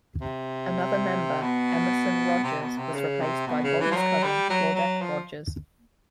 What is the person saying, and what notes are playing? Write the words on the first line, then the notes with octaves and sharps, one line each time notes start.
Another member, Emerson Rogers, was replaced by Bobby's cousin Claudette Rogers.
C3
B2
C3
B2
C3
C#3
C3
B2
C#3
E3
F3
F#3
G3
F#3
F#3
F3